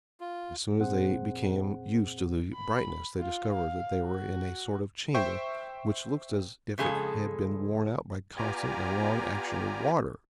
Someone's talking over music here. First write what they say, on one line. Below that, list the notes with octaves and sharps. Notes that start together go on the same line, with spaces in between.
As soon as they became used to the brightness they discovered that they were in a sort of chamber which looked as if it had been worn out by constant and long action of water.
F4
F2 A#2 C4 G#4 C5 F#5
B5
F4
F5
F#4
C5 E5 G5 C#6
F2 C#3 G#3 G#4 A4
B3 F4 G4 D5 G#5 A#5